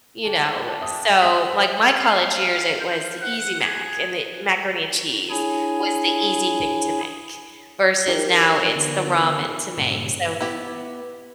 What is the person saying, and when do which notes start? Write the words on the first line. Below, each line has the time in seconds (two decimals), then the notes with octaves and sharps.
you know? Eh, so, like, my college years, it was the Easy Mac, and the macaroni and cheese was the easy thing to make, versus now it's the ramen to make, so
0.24 D4 G5 A5
0.81 E5 D#6
1.22 C4 E5 F#5 D#6 B6
1.93 F5
2.32 F5
2.79 C5
3.22 F#5
3.60 G#4
5.30 D4 E4 G#4 C#5 G#5
8.08 D#4 G4 A#4
8.75 D3 B3
9.77 G2 A#2 C#3
10.41 B3 E4 G4